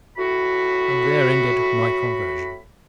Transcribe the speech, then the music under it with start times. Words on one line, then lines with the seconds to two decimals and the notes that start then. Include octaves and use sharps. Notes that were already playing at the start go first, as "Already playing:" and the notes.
And there ended my conversion.
0.17 A2 F#4 B5